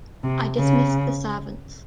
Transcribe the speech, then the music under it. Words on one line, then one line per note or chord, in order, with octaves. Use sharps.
I dismissed the servants.
C3
C#3